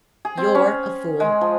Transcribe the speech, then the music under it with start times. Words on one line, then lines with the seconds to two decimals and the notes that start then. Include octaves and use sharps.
You're a fool.'
0.25 G#4
0.38 C4
0.55 C#4
1.20 G#3
1.41 F3